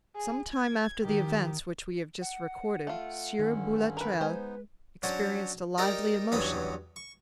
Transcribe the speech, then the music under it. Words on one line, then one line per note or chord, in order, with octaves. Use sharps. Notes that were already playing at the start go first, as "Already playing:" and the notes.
Some time after the events which we have just recorded, Sieur Boulatruelle experienced a lively emotion.
G#4
G#6
D#3 G4
F#5
A3 F4
G2 D3 D#3 C#4
A#4 B4
G#3 B3 D#4 B4 C5 G#5
F#3 C#4 D4 C5 F#5
D#4 G4 A#4 D5 G5 A#5
E2 G2 F#3 C#4 B5 D#6
C#6